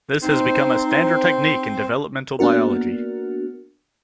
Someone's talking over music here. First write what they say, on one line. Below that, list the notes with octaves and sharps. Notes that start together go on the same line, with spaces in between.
This has become a standard technique in developmental biology.
C4 D#4 C5
A#3 B3 D4 F#4 A#4